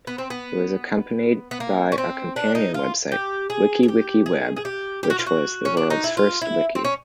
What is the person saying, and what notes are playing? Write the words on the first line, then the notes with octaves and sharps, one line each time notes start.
It was accompanied by a companion website, WikiWikiWeb, which was the world's first wiki.
B3
C4
B3
B3
A#3
C#4
C4
D4
D#4
F4
G4
G#4
G#4
G4
G#4
G#4
G4
G4
F#4
F4
F#4
C#4
D4
D#4
E4
F4
E4
C4
C#4